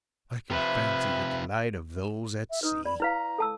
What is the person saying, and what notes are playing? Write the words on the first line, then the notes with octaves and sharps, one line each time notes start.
I can fancy the delight of those at sea.
C3 F3 B4 E5
E5
D#4 B4
D5 B5
E4 B4 F5 A#5
A4 A5 E6